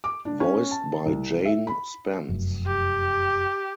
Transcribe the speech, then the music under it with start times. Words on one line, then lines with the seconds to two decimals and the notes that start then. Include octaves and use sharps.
Voiced by Jane Spence.
0.04 D6
0.25 D4
0.40 C#4
0.71 A5
1.06 C2
1.45 E5
1.67 B5
2.29 F1 F#2
2.66 G4